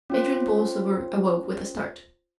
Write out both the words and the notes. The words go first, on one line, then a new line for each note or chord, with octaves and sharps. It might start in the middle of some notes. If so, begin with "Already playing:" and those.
Adrian Borlsover awoke with a start.
C#4 F4 C5